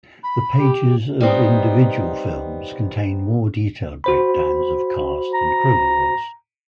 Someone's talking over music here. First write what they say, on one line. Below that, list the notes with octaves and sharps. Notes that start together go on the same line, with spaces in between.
The pages of individual films contain more detailed breakdowns of cast and crew awards.
B5
G4
G3 B3 C4 D#4
F#4 C5 B5
A#5